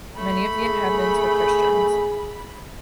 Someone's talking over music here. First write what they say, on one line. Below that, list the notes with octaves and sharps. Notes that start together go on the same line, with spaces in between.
Many of the inhabitants were Christians.
A3 B5
G#4